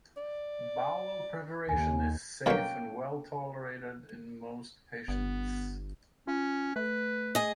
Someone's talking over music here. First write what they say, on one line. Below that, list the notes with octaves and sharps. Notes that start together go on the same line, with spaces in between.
Bowel preparation is safe and well-tolerated in most patients.
D5
D#2 G#5
B2 D#3 F#3 A#3 C#4 G5
G1 B3
C#4 F4
A3 B4
G#4 D#5